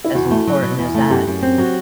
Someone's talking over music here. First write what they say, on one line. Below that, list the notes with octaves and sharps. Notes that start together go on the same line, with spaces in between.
as important as that.
E4
E2 F#4
A3
F#3
B2
E2
A3
A4
F#2 G4
F#2
C4
F#3 F#4